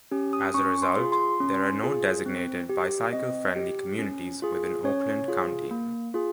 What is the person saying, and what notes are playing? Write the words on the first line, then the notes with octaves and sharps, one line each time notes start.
As a result, there are no designated Bicycle Friendly Communities within Oakland County.
C#4 G4
D#6
C#4 C#6
C6
F4 G#4
C6
C#4
F4 G#4
C4
G4
C4 D#5
G4
C#4
F4 G#4
C#4 C#5
F4 G#4
A#3
F4 G#4